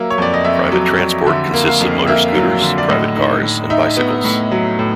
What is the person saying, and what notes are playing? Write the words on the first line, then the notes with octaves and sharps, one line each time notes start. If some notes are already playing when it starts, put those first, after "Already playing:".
Private transport consists of motor scooters, private cars, and bicycles.
Already playing: F#3 A#3 E5
C#5
F2 D5
D#5
F2 E5
F#3
F#3
D3 E5
A#3
F5
F2
A#3 E5
F#3
D3
D5
A2 D#5
D#4
A2
D#4 E5
B3
A2
F#3
A2